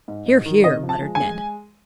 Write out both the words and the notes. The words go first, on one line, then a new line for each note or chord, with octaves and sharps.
"Hear, hear!" muttered Ned.
G#2
G#2
D#3
C3 D#5
F3
A5
G#3
G#5
G#3